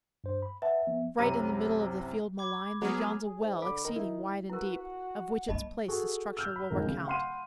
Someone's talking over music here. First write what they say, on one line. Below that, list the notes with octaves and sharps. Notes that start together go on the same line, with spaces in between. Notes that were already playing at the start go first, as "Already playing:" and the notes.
Right in the middle of the field malign There yawns a well exceeding wide and deep, Of which its place the structure will recount.
G2 C5
B5
B4 E5 F#5 A5
F3 B3
C2 F#2 C3 A#5 B5 D#7
B5 D6 G#6
F#3 B3 G#4 A#5 F6
G#4
G#2
D3 B5 D6
D#3 A#4
E4
E4 F#4 A#4 B4
F#5
G3 A#3 D#5 A5 B5
F#4 G#4 A4
E6 F6 G6
B5
D1 C#2 F3 D#4 A#4
C#3
F5 F#5 B5 C6 F6 D#7